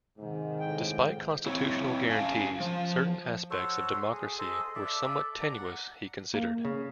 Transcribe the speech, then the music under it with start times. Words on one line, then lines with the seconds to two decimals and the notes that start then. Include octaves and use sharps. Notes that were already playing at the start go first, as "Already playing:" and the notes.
Despite constitutional guarantees, certain aspects of democracy were somewhat tenuous, he considered.
0.18 G#2 C3 D#3
0.60 A2 G5
1.46 C4 E4 C#5
2.09 C#4 F5 G#5 A5
2.60 F3
3.51 F#4 A4 C5 C#5
4.12 G#4
4.39 G#4 A4 C5 D#5
4.75 A4 D5 E5
5.41 D5 A#5
5.54 F#5
6.34 A#3
6.65 C#3